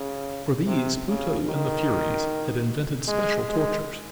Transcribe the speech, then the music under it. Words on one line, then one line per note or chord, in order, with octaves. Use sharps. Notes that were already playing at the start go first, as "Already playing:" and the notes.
For these Pluto and the Furies had invented special tortures.
Already playing: C#3
C3
C#3
D#3
G#3
G#3